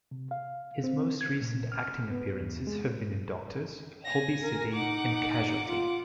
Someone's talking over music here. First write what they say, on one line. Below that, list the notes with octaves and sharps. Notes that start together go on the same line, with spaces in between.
His most recent acting appearances have been in "Doctors", "Holby City" and "Casualty".
C3
F5
C4
G#6
A#2
F6
B3
E2
G#3
G#5 A#6
A#4
D#4 F#5 D6
F4